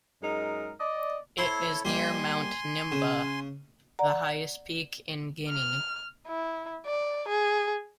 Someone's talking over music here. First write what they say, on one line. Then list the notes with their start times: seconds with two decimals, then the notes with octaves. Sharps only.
It is near Mount Nimba, the highest peak in Guinea.
0.21 F#2 G#3 D#4 A#4
0.80 D5 D#5
1.38 E4 A4 C5 C#5 C6
1.85 G3 A#3 D#4 G#5 C6
2.92 C#3
3.99 D5 F#5 A#5
5.49 F6
6.27 E4
6.86 D5
7.28 G#4